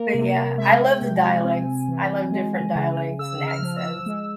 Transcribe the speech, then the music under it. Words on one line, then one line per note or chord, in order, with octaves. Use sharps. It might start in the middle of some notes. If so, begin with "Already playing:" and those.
But yeah, I love the dialects. I love different dialects and accents.
Already playing: A#3 A#4
C3
G#3 E5
G5
C3
G#5
C4
E3
G#3
C#3
C#3 E6
F6
F3
E6
G#3